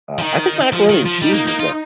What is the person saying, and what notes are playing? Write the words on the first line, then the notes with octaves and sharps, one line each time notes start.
Uh, I think macaroni and cheese is a
F3
D#3 D#4
F3 F4
D#3
F3
G3 D#4
A#3
A#3
F4